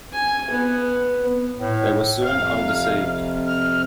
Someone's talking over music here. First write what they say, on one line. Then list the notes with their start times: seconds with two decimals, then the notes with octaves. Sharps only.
They were soon undeceived.
0.13 G#5
0.50 B3
1.59 A2
2.22 F2 C3 F5
3.47 F6